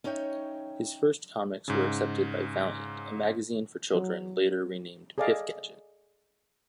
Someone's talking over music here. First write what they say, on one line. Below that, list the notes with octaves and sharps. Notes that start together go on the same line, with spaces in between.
His first comics were accepted by "Vaillant", a magazine for children later renamed "Pif-Gadget".
C#4 D#4 C#5 E5 G5
G#2 C#3
F#3
G#4 A4 D5 D#5 F5